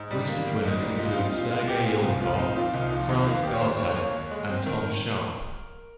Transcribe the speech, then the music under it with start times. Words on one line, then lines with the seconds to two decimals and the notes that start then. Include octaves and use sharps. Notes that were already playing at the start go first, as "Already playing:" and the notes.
Recent winners include Serge Joncour, Franz Bartelt and Tom Sharpe.
Already playing: G#2
0.11 G3
0.28 A#3
0.45 D#3
0.63 G#2
0.81 G3
0.98 A#2 D#4
1.11 F4
1.16 C4
1.24 D#4
1.34 A#2 F4
1.50 G#3 F4
1.68 A#2 G4
1.86 C4 G#4
2.03 C2 F4
2.21 F3 F4
2.39 C4 D#4
2.56 A#2 F4
2.74 C2 D#4
2.91 F3 F4
3.09 D#2 D#4
3.26 A#3 F4
3.43 D#2 G4
3.53 C#5
3.61 D#3 C5
3.79 D#2 C#5
3.96 A#3 C#5
4.14 D#2
4.31 G#3
4.49 C4
4.66 D#3 A#4